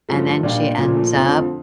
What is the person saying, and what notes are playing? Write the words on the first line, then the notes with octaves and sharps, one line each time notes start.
and then she ends up
G2 F3 A3
A#2 G3 D4 F4
A#2 F3 A3
F2 D3 F3 A3